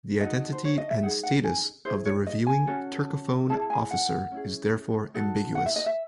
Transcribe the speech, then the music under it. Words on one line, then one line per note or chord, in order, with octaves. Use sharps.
The identity and status of the reviewing, turcophone officer is therefore ambiguous.
D#4 F#4 A4 D#5
C5
C#5
D#5
E5
D#4 G#4 F#5
F#5
G#5
E4 G#4 C5
C#5
D#5
G#5
C#4 F#4 A4
E4 G#4 A5
G#5
F#5
C#4 E4 G#4
D#4 F#4 A4
F#5
E5
D#5
E5